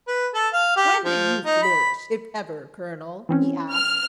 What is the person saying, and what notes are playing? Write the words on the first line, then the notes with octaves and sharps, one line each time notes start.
"When did you flourish, if ever, colonel?" he asked.
B4
A4
F5
G4
F3
D#4
B5
E3 C4 C#4
F6